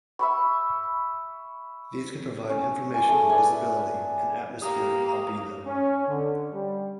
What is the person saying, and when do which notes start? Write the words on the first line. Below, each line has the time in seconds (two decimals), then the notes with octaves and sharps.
These can provide information on visibility and atmospheric albedo.
0.19 E5 B5 C#6
2.49 C#4
2.94 G#5 D6
3.08 A3 G#4
3.29 B4 D5 E5 G#5
4.62 A#3 G4 A#5 D#6
5.66 C#4
6.07 D3
6.52 G3